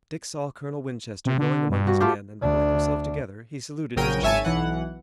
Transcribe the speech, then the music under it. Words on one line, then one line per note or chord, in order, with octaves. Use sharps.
Dick saw Colonel Winchester going among his men, and pulling himself together he saluted his chief.
C3
D3
G2
F#4
A3 F4 G4
D2 D4
A#1 C#3 F#3 A#4 G5 D#7
G#1 C#5 E5 G#5 A5 D#7
B1 E3 F#5